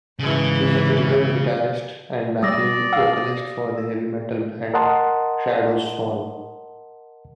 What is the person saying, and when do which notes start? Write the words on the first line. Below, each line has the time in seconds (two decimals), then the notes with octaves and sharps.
He is rhythm guitarist and backing vocalist for the heavy metal band Shadows Fall.
0.19 G#2 C#3 E3
2.43 G3 D5 D#6 E6 A#6
2.93 F5 E6
4.74 A#4 D#5 F#5 A5 C6